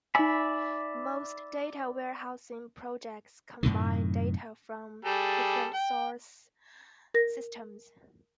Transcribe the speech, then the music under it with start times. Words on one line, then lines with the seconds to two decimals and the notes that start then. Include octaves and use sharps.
Most data-warehousing projects combine data from different source systems.
0.15 D#4 D5 E5 G#5 B5
3.63 F#2 A2 C3 D#3
5.05 G3 G#4 A4
5.74 G5
7.14 A#4 A#6